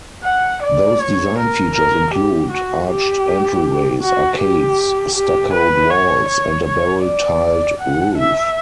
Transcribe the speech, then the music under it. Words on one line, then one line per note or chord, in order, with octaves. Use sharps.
Those design features include arched entryways, arcades, stuccoed walls and a barrel-tiled roof.
F#5
D5
C#5
A#4
A#4
G4
F#4
G4
F#4
G4
G4
B4
C#5
C#5
C#5
D5
F#5
E5